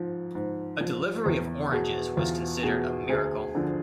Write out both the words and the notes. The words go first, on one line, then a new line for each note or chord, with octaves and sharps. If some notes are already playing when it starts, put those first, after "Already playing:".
A delivery of oranges was considered "a miracle".
Already playing: G#2 F3
G#2
F3
E2
B2 G#4
E2 F4
B2 G#4
D2 G#4
D3 F3